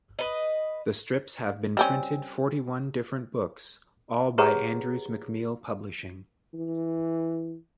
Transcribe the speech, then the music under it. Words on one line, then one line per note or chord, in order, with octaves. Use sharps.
The strips have been printed forty-one different books, all by Andrews McMeel Publishing.
B4 D#5
G3 C4 C#4
G4 G#4 B4 C#5 F#5 A#5
E3